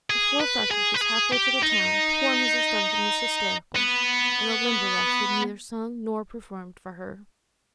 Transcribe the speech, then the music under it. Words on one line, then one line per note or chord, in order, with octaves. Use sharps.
Before Freckles was halfway to the town, poor Mrs. Duncan was hysterical, and the Limberlost had neither sung nor performed for her.
G#4
B4
G#4
B4
G#4
G4
D#4
B3